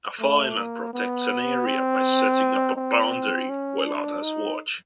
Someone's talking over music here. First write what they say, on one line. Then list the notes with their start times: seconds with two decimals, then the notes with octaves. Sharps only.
A fireman protects an area by setting up a boundary while others watch.
0.20 A3
0.57 A#3
0.94 B3
1.66 C4
2.76 C4
3.49 C#4
3.86 D4
4.22 D#4